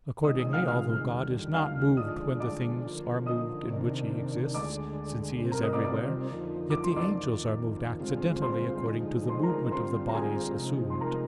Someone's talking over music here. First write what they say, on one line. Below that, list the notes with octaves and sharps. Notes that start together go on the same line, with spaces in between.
Accordingly, although God is not moved when the things are moved in which He exists, since He is everywhere; yet the angels are moved accidentally according to the movement of the bodies assumed.
C3 D#3 G#3 D#5 D#6
D#5 D#6
F5 F6
F5 F6
D#2 D3 G3
F5 F6
D3 F3 G#3 D4 D#5 D#6
D5 D6
D3 F3 A#3
D#5 D#6
C3 D#3 A#3 D4
D2 D3 G#3 D5 D6
C3 G3 C4
A#4 A#5
D#5 D#6
D5 D6
D5 D6
F2 D3 F3 A#3 D#4
D6
C6
D5 D6
F2 D#3 A#3
G2 D3 G#3 C4 F4
C5 C6
D3 F3 G#3 D#4
C5 C6
A#4 A#5
D3 G3 C4 F4 C5 C6
A#5
G#4 G#5
C3 F3 G#3 D#4
C6
A#4 A#5